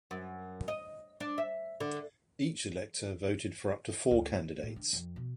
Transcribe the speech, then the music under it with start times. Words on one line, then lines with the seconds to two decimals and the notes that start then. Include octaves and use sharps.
Each elector voted for up to four candidates.
0.11 F#2
0.68 D#5
1.20 D4
1.38 E5
1.80 D3
4.11 D2
4.35 C#3
4.63 A2
4.76 D3
4.93 F2
5.16 B2